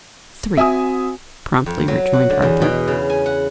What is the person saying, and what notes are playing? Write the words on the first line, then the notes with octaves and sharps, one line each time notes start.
"Three," promptly rejoined Arthur.
C4 F#4 E5 G#5 D#6
F2
F#3
F#5
D3
E2
B2
C#3
G#5
F#5